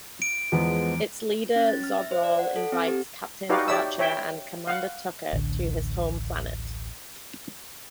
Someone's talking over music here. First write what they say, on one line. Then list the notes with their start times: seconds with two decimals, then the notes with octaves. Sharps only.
Its leader, Zobral, invites Captain Archer and Commander Tucker to his home planet.
0.22 D7
0.52 E2 F3 G#3 B3
1.56 C#4
1.68 A6
1.84 F6
1.98 E5
2.11 C5
2.24 D5
2.39 F#5
2.56 A4
2.72 C4
2.88 G4
3.49 D#4 F#4 G4 B4 D5 F5
3.68 G4 C#5 D5 E5 E6
3.99 C#5 E5 G5
4.67 F5 F#5
5.33 A1 D2 D3